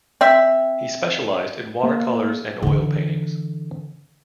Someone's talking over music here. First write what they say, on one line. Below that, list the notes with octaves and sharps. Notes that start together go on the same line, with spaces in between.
He specialized in watercolors and oil paintings.
C4 E5
A#3
D3 E3